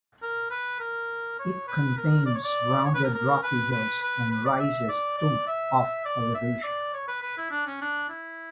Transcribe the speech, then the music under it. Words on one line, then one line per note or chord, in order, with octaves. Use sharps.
It contains rounded rocky hills and rises to of elevation.
A#4
B4
A#4
C#5
B4
A#4
D5
C#5
D5
C#5
B4
A#4
A#4
B4
B4
B4
B4
D5
E5
D5
D5
E5
D5
E5
D5
C#5
B4
B4
E4
D4
C#4
D4
E4